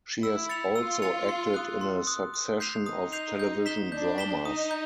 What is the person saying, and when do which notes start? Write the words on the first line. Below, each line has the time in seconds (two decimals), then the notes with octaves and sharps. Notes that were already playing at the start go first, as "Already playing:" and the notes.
She has also acted in a succession of television dramas.
0.23 E4 E6
0.49 A6 C#7 F7
0.75 F4 E6
1.02 A6 C#7 F7
1.28 C6
1.54 D#6 F#6
1.81 C6
2.07 D#6 F#6
2.34 D#6
2.60 G6 C7 F7
2.86 D#4 D#6
3.12 G6 C7 F7
3.39 G6
3.66 B6 E7 G7
3.92 D4 G6
4.18 B6 E7 G7
4.45 D#4 D#6
4.71 G6